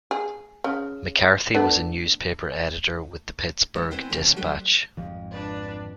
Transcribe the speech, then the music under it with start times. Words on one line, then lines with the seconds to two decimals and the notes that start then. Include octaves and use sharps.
McCarthy was a newspaper editor with the "Pittsburgh Dispatch".
0.11 G#4
0.64 C#3
1.54 A3 B3 D4
3.75 E3 A3 C#5
3.91 B3 C4 E4 C5 G5 G#5
4.10 C3 E3 A#3 C#4 A4 G5
4.36 F3 F#3 A3 D4 G4 C5
4.97 G#1 F2 D#3 G#3
5.31 D4 B4 D5